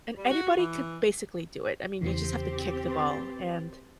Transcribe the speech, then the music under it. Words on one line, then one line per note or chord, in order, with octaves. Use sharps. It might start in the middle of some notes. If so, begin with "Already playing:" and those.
and anybody could basically do it. I mean, you just have to kick the ball, and,
G3
F#4
E3
E2 C#3 E3 C4 G4
B4 C6 A6